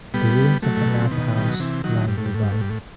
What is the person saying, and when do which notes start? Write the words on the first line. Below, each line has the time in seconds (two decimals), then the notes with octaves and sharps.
The ruins of an outhouse lie nearby.
0.14 G3 B3
0.62 F#3 A3
0.77 A2
0.88 B2
1.00 C3
1.11 B2 D#3
1.37 G3
1.49 F#3
1.60 C3 E3
1.84 D#3 F#3
2.08 G2
2.17 A2
2.25 G2
2.34 A2
2.43 G2
2.52 A2
2.61 G2
2.70 A2